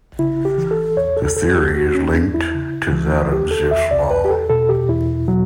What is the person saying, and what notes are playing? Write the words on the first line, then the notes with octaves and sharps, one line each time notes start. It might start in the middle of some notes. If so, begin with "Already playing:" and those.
The theory is linked to that of Zipf's law.
C#3 E4
G4
E3
A4
E2 C#5
A4
E2 A4
G4
E2 F#4
C#4
E2 D4
E4
C#3
E3
E2 G4
A4
E2 E5
D5
E2 B4
G4
A4
B2 A4
G4
E2 E4
B2 F#3